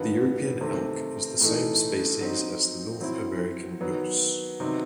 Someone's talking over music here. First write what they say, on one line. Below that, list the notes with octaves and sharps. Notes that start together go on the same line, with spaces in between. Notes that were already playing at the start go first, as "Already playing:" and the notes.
The European elk is the same species as the North American moose.
Already playing: G2 D#3 F#3 B3
C3 D#3 A3 C4
A2 E3 A3 D#4
F#3 C4 D#4
F#3 C4 E4
D#3 F#3 B3
C3 D#3 F#3 B3 D#4